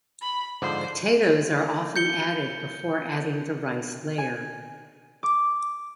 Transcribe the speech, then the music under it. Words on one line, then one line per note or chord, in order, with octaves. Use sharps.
Potatoes are often added before adding the rice layer.
B5
G#2 D3 F3 C5
G6 C#7 G7
G#5
D6